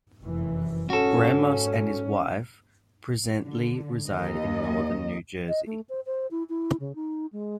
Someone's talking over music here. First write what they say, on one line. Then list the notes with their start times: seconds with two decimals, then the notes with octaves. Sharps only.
Ramos and his wife presently reside in northern New Jersey.
0.22 F1 F#2 E3
0.90 G#2 C#4 F#4 A4
3.42 D3
4.07 D#2 D#5
5.48 D#5
5.66 A3
5.89 C5
6.06 C5
6.31 E4
6.49 E4
6.80 C#3
6.95 D#4
7.32 G#3